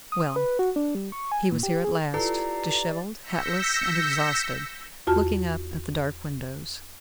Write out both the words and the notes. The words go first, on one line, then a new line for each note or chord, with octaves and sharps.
Well, he was here at last, dishevelled, hatless and exhausted, looking up at the dark windows.
D#6
B4
F#4
D4
G3
C#6
G#5
A#2
G4
G#4
E4 F4 G4 A4 B4 D5 A#5 C7
E6 G6 A#6 B6 C#7
E2 F4 F#4 A5 F6